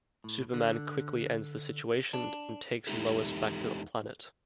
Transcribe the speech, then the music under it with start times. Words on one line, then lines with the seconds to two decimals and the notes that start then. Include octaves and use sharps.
Superman quickly ends the situation, and takes Lois back to the Planet.
0.24 A2
0.54 D3
2.13 D4
2.87 E2 G#3 D#4 E4 G4 A4